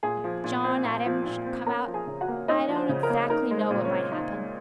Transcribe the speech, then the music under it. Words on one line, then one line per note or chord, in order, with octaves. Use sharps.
If John Adam should come out, I don't exactly know what might happen.
A#2 G#4 G#5
F3
A#2
C4
A#2
F3
A#2
C4
C#4 A#4 A#5
F3
G#4 G#5
C#3
F#4 F#5
A#3
C#4 D#4 D#5
F3
C5
C#3
A#4
A#3
D#4 A#4
G#3
C5
A#2
C#4 C#5
C4
D#4
G#3